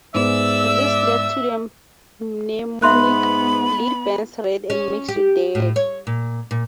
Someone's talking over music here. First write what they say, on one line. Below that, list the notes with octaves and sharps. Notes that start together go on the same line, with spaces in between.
This led to the mnemonic, Lead burns red and makes you dead.
G#2 G#3 B3 D5 E5 E6
G#2 B3 E5 B5 C6 F#6
C#4
G4
A2
C#5
A#2
A#2